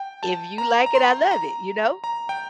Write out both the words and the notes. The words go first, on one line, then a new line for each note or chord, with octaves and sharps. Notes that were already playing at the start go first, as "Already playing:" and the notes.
"if you like it, I love it." You know?
Already playing: G5
A5
A#5
A#5
C6
A#5
A#5
G5